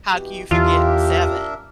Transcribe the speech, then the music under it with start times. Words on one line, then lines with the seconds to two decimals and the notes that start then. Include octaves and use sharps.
how can you forget Seven?
0.12 B2 E3 G4
0.51 E2 E3 D4 F4 G4 A#4 E5